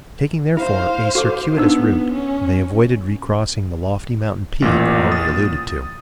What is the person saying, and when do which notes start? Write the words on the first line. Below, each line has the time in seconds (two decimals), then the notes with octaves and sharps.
Taking therefore a circuitous route, they avoided recrossing the lofty mountain peak already alluded to.
0.57 E4 C5 F5
1.15 F#4 A4 D6
1.57 B3 D4 D#4 E6
2.13 C#4
4.62 A1 A#2
5.11 D#6 A6